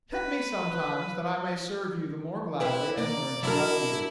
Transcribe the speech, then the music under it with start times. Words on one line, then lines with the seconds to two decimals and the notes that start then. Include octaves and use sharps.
Pet me sometimes, that I may serve you the more gladly and learn to love you.
0.12 B4
2.60 E4 G4 B4 C5
2.97 A#3 D5
3.43 F#3 D4 E4 A#4